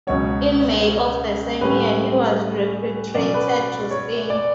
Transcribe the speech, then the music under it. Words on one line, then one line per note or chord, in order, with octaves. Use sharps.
In May of the same year he was repatriated to Spain.
C#2 B2 F#3 C#5
A2 G3 C#4 B4
B2 F#3 C#4 D5
B4
B4
C#5
D5